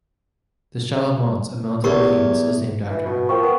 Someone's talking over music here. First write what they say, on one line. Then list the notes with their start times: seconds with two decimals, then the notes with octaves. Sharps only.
The Shala Mons, a mountain on Venus, is named after her.
1.84 E2 G4 A#4 C#6
2.90 E3
3.06 B2
3.29 F3 A#4 G5 C#6
3.43 B3